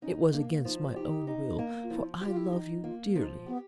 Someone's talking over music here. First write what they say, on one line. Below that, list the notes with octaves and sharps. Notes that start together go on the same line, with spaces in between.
It was against my own will, for I love you dearly.
C#4 D#4
A#3 D4
F3 D#4
D#4 G4
D#4
A#3
F4
F3 E4
F4 G4
E4
D#4
A#3 F4
F3 D#4
B3 G4